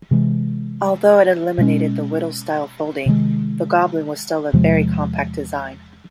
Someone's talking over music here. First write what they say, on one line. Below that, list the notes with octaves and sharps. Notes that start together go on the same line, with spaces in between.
Although it eliminated the Whittle-style "folding", the Goblin was still a very compact design.
C3 E3 G#3
B2 G#3 C#4
C3 D#3 G#3
E2 C3 F3 G#3